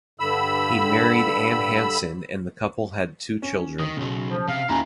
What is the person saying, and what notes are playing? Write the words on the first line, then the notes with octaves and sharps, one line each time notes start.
He married Ann Hanson and the couple had two children.
G2 D3 B5 E6
C#4
D#3 D#6
B1 C#3 F#3
F3
C3 F5
D#2 C#4 E4 F4 A#5